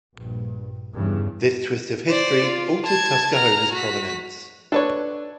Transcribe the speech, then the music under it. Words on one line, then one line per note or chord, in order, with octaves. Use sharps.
This twist of history altered Tuskahoma's prominence.
A#1 G2
E2 G2 C#3 E3
C5 D5
F4
A5 G#6
A#5 F6
F#4 B6
D4 A4 B4 C#5